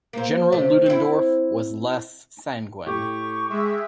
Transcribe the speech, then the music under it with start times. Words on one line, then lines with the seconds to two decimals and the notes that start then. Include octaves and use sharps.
General Ludendorff was less sanguine.
0.13 A#3 C4
0.52 C3 A3
0.86 C4 E4
2.87 A2 G4 C#6
3.49 G#3 E5